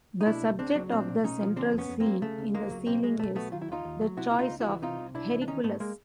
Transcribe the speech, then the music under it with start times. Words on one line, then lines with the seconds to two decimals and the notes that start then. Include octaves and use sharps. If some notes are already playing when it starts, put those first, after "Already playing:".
The subject of the central scene in the ceiling is "The Choice of Hercules".
0.21 D#4
0.26 B2 D4 E4
0.42 C#2
0.59 C#2 C4 D4
0.75 F#3
0.91 A#2 C4 D4
1.08 B1
1.24 B1 C#4 D#4
1.41 F3
1.56 D3 C4 D4
1.73 F2
1.78 B3 C#4
1.89 F2
2.00 A#3 C4
2.06 F#3
2.22 C#3 A3
2.38 C#2
2.54 C#2 G#3 A#3
2.71 F#3
2.86 B2 A#3 C4
3.03 B1 G#3
3.19 B1 A3
3.35 F#3 A3 B3
3.52 D#3 F4
3.61 E4
3.68 D#2 D#4 F4
3.85 D#2
4.01 F#3
4.17 C3 E4 F#4
4.31 E4
4.34 C#2
4.39 D#4 F4
4.50 C#2
4.60 E4 F#4
4.66 E3
4.82 C3 D#4 F4
4.99 C2
5.15 C2 D4 E4
5.31 E3
5.42 D4
5.47 D#3 C#4 D#4
5.64 G#2 A3 B3
5.80 G#3 A#3